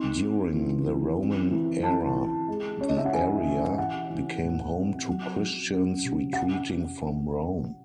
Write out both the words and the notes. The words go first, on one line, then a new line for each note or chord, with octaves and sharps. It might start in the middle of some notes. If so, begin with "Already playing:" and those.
During the Roman era, the area became home to Christians retreating from Rome.
Already playing: C4 D#4 C6
C4
E3
E3
C4
E3
C4 A5
E3
G#3
C#4 C#5
D#5
E5
F#5
E3 G#5
E3
E3 F#5
E3
A2
C4
F#3
F#3
C#4
C3
F#5